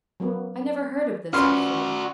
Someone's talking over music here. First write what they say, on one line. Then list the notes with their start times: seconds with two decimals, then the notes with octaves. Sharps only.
"I never heard of this before."
0.20 F#3 A#3 B3
1.33 C#4 F4 F#4 B4 D5 C6 F6